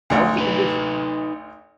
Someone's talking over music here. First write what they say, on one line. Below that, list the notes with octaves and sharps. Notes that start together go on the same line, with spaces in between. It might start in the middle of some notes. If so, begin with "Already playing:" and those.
That was the condition.
G#1 D2
D#4 B4